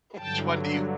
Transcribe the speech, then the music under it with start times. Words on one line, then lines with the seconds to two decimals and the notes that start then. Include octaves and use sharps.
Which one do you
0.17 G2 D3 F#3 G5 A5